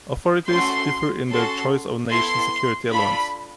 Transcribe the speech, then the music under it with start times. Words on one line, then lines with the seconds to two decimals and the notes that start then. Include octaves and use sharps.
Authorities differ in their choice of nation security elements.
0.51 A3 C#4 F#4 A4 C6
1.30 C#4 F#4 A4 C6
2.10 B3 E4 A4 C6
2.90 D4 F4 A4 B5